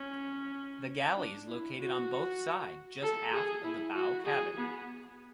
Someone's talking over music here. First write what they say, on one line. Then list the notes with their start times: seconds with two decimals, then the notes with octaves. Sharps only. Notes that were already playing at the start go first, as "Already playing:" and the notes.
The galley is located on both side just aft of the bow cabin.
Already playing: C#4
1.17 D4
1.48 E4
1.79 F#4
3.02 A4
3.33 G#4
3.64 E4
3.95 F#4
4.26 G#4
4.57 B3